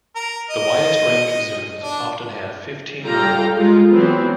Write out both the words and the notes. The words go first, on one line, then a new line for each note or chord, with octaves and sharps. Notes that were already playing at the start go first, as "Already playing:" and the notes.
The widest-range zooms often have fifteen or more.
A#4
D#5
D4
G3 F4 A4 F5 G5 A#5
G#3 F4
E3 F#3 B3 C4